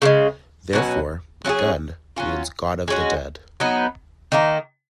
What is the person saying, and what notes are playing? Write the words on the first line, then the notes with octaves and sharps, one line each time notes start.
Therefore, Gunn means "God of the Dead".
C#3 F3 G#3
B2 F#3 A#3 C#4
F#3 C#4 F4 G#4
F#3 C#4 F4
G#3 C#4 F#4
F#3 B3 D#4
D#3 A#3 D#4